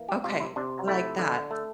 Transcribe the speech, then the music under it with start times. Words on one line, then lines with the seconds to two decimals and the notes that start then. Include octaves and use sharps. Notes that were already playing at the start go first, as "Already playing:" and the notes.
Okay, I like that.
Already playing: E3 A#3
0.09 G4
0.24 C3 F4
0.40 E4
0.56 C3 D4
0.88 A3 E4
1.19 D3
1.51 A3